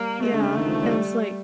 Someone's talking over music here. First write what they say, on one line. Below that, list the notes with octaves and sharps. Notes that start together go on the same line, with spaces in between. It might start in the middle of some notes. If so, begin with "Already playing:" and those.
Yeah, and it's, like
Already playing: G3 A#3
G#3 A3
D3
C#3
D#3
F3
G3